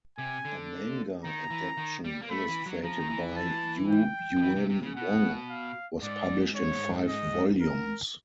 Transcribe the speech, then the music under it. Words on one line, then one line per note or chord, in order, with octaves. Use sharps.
A manga adaptation illustrated by Yu Yuen Wong was published in five volumes.
C3 G#5
D3
D#3 A#5
E3
D#3
G3
A#3
A3 B5
E3
F#3
F3 A#5
D#3
E3
A5
G5
F3
E3
C3
C3
C#3
B2 F#5
F5
G#2 D5
C#5
D#5
A#4